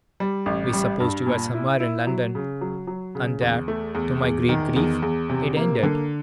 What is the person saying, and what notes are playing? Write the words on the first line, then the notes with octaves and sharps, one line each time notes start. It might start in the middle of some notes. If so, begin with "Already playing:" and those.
We supposed you were somewhere in London; and there, to my great grief, it ended.
G3
A1
G3
G2
A#2
E4
E4
F#3
C#3
F#3
F#3
C#3
E2
A3
E2
E2
D#3
E2
E2
C3
A#3
D3